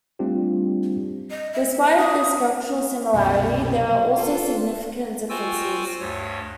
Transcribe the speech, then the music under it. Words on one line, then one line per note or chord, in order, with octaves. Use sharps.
Despite this structural similarity, there are also significant differences.
G3 A3 C4 D4 F4 G4
D#5
E5
D#6
C2 F#2 B2
F4 A4
F4 F#4 C5 G5 G#5 E6
D2 G2 C#5